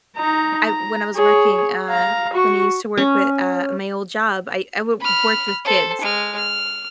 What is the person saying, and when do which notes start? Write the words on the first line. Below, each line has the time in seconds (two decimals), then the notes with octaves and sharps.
I when I was working, uh when I used to work with, uh, my old job, I I wo w worked with kids,
0.17 D#4 A#5
0.67 A#5
1.15 G#4 C#5
1.89 F5 A#5
2.34 F#4 C#6
2.98 C#4
5.00 B5 F6
5.65 A4 C5
6.01 G#3 F6
6.36 F6